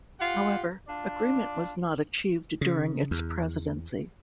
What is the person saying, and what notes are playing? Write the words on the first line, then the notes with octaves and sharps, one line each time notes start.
However, agreement was not achieved during its Presidency.
F4 G4 F#5
D4 F4 D5
C#3
E2